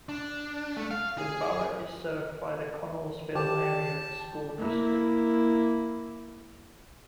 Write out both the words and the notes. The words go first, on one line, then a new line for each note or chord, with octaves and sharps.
The borough is served by the Connellsville Area School District.
D4
A3
F5
G#4
D#3 G4 A5
A#3 E4